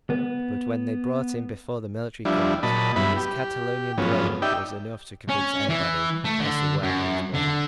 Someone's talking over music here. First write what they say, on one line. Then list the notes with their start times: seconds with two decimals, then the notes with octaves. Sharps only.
But when they brought him before the military court, his Catalonian brogue was enough to convince anybody as to where he was born.
0.10 B3
2.25 F3 G3 D4 E4
2.63 A#2 F#3 D#5 A5 B5
2.96 G2 F#3 B3 E4 B5
3.16 G4
3.98 G#2 F3 F#3 B3 C#4
4.42 D#4 G4 D5 E5 G5
5.29 C#4
5.69 E3
6.25 A3
6.40 D3
6.83 F#2
7.33 D3